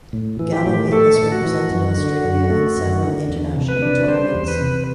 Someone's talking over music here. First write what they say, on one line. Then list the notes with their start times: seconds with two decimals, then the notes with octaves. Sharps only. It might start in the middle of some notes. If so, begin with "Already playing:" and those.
Galloway has represented Australia in several international tournaments.
0.13 A2
0.39 E3
0.53 G4
0.66 A2
0.92 A3 A4
1.18 A2
1.32 F#4
1.45 E3
1.71 F#2
1.97 D3
2.24 F#2
2.50 A3
2.77 F#2
3.03 D3
3.29 E2
3.56 C3
3.68 B4
3.82 D4
4.08 G3 C5
4.35 E2
4.48 B4
4.61 C3